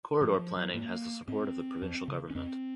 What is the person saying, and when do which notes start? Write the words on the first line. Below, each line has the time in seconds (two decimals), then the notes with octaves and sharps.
Corridor planning has the support of the provincial government.
0.21 G#2 F3
0.39 F3
0.56 F#3
0.74 G#2 A#3
1.28 G#2 C4
1.82 F2
2.08 C#3
2.30 C#4
2.35 F2 C4